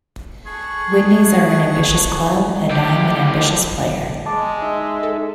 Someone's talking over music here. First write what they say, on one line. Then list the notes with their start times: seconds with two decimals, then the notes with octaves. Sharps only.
Widnes are an ambitious club and I'm an ambitious player.
0.46 G#4 A4 F#5 C#6
2.70 A2 G4
4.26 G#3 A5 D6
4.62 D#4 E5
5.03 A4